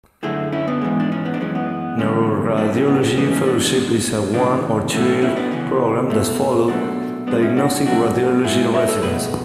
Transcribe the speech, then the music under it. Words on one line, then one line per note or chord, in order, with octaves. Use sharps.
Neuroradiology fellowship is a one- or two-year program that follows diagnostic radiology residency.
F#2 D3 A3 E4 G#4
C#4 E4
B3 D4
G#2 E3 G#3
D4
C#4
B3
D4
F#2 E3 G#3 C#4
B3
E2 D3 G#3 C#4
A2 F#3 A3 B3 D4
C#4
B3
C#4
G#2 E3 A3 B3
C#4
B3 D4
G#2 G#3
E2 C#3 E3 B3 D4
A2 F#3 A3 C#4
C#4
C#4 E4
B3 D4
E2 C#3 E3 C#4
B2 A3
B2 F#3 A3 B3 D4
G#2 G#3 B3 D4
C#4 E4
D4 F#4
B2 F#3 A3 D4 F#4
G#2 G#3 E4 G#4
C#5 E5
A4 C#5
B2 A3 G#4 B4